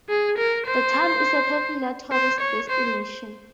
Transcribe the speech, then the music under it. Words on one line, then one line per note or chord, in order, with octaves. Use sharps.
The town is a popular tourist destination.
G#4
A#4
C5
C5
C#5
C5